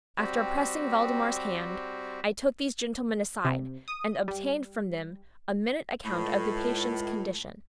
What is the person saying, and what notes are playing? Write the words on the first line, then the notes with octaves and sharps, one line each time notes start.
After pressing Valdemar's hand, I took these gentlemen aside, and obtained from them a minute account of the patient's condition.
G3 C4 F#4 G4
C3
D#6
G3
C#2 A2